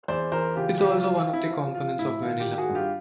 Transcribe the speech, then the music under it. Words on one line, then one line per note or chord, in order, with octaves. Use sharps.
It is also one of the components of vanilla.
E2 C5 D5
E3 A#4 C5
C#3 F4 G4
F3 F4 G4
F4
F3
F4
F3
E4
F3 F4
F3 F4
A2 E4
D#3 F4
F4 G4
D#3
F#4 G#4
G2
F4 G4